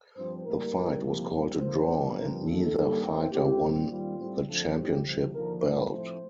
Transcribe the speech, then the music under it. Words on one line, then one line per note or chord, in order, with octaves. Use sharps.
The fight was called a draw and neither fighter won the championship belt.
G2 F3 C4 C5
A2 G3 A#3 A#4
A2 G3 C4
C2 C3 F3 A#3
A2 G3 C4 A#4
D2 C3 F3 A#3 C5
G2 F3 A#3
G2 F3 C4 A#4
F2 C3 D#3 A#3 A4
G2 D#3 G3 A#3
D#2 D#3 A3 C4
A2 A3 C4 G4
A#2 G3 C4
D#2 D#3 G3 C4 F4
A2 G3 C4
D2 D3 F3 A3 C4 A4
A2 G3 C4
C2 C3 F3
D#2 D3 F3 A#4
C2 C3 G3 A#4
A2 F3 A3 C4 C5